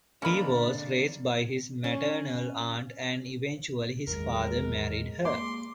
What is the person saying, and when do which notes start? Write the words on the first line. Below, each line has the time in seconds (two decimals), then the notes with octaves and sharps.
He was raised by his maternal aunt and eventually his father married her.
0.22 D3 G#3 A#3 C#4 A4 D5 B5
1.84 C#4
4.07 E2 D#3 F#3 G#3 A#4
5.25 A#3 C6 D6